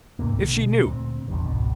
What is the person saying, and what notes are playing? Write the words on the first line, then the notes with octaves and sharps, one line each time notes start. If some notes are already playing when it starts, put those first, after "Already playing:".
If she knew!
C2 G#2 C3 A#3
B1 D3
B2
D2 A#2 C4
F1 A#1 E2 G2
G#1 C#2 B2